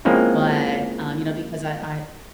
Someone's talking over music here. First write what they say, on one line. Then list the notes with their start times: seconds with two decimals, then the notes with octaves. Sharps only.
but, um, you know, because I I
0.05 F3 G#3 A#3 C4 C#4 E4